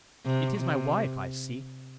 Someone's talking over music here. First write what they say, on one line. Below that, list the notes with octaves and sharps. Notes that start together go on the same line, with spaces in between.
It is my wife I seek.
C3
C3